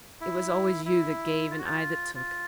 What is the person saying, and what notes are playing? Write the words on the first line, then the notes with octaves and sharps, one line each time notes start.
It was always you that gave and I that took.
E4
E4
F4
F#4
F4
F4